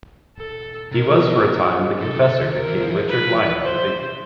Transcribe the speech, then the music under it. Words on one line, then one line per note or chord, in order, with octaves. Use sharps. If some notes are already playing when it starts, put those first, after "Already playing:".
He was for a time the confessor to King Richard Lionheart of England.
A4
C3 A#4
B2
A#2
B2
C3 A4
C#3
C#3
D#3
D3 A#4
E3
F#3
F3
E3
F3
B4
C5